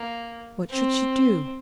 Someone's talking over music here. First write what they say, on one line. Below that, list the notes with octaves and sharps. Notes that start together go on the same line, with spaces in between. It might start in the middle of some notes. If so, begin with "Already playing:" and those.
What should she do?
Already playing: A#3
C4